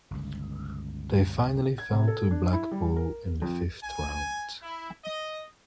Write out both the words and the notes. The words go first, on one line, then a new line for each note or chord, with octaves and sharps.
They finally fell to Blackpool in the fifth round.
G1 C#2
G#6
C3
A4
D4
E4
G3
A#4
F2
G#5
E4
D#5